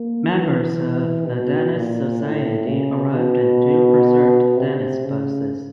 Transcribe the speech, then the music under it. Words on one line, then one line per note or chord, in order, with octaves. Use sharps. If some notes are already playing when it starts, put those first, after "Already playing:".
Members of the Dennis Society arrived in two preserved Dennis buses.
Already playing: A#3
E3
B2
A#2
A2
C#3
B2
C3
C#3